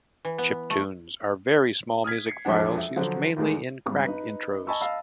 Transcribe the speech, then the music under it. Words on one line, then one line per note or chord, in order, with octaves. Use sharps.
Chiptunes are very small music files used mainly in crack intros.
E3
B3
A3
D#6 F6 G#6 B6
C7 C#7
E1 F2 F3 D4 F#5
E5
D3 F3 F#3 C5
E2 A2 D#3 G#3
G#1 G2
D#4 B4
D#5 G#5 A5 B5 C#6 E6
D#5 F5 A5 B5 E6